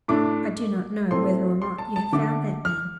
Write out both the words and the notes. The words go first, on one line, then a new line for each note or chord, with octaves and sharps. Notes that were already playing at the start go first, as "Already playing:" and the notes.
I do not know whether or not you have found that man.
A2 A3 D4 D6
A2 A3 C4 C6
C6
A5
A5
D3 A3 D4 D6
F6